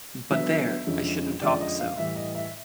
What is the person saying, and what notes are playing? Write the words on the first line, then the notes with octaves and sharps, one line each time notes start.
But there, I shouldn’t talk so.
D3 F#3 B3 E5
F2 D3 F3 G#3 C#4
F2 D3 F3 G#3 C#4 D5
D#5
F5
A2 E3 G3 E5
D#5
E5